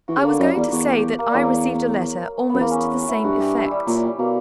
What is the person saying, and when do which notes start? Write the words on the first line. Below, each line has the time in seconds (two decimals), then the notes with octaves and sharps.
"I was going to say that I received a letter almost to the same effect."
0.08 E3 F#4
0.18 C#3
0.24 D3 A#3
0.39 F#2 G3
0.55 E2 G3
0.71 E2 F#4
0.88 G4
1.19 A#3
1.29 G3
1.34 E2 F#3
2.49 F#2 B3
2.61 E2 A#3
2.71 C#4
2.77 B3
3.03 F#4
3.08 E4
3.24 G2 F#4
3.40 G4
3.56 E4
3.71 G3
3.86 A#2 F#3
4.03 G3
4.18 B2 A#3